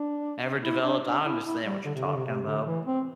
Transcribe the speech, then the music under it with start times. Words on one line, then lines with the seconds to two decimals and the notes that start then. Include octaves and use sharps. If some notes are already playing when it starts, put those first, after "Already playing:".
ever developed, I understand what you're talking about.
Already playing: D4
0.63 E4
0.84 D4
1.04 D4
1.24 E4
1.45 E4
1.65 G3
1.85 D3
1.95 C3
2.05 D3
2.15 C3
2.25 C3
2.45 D3
2.66 E3
2.86 C4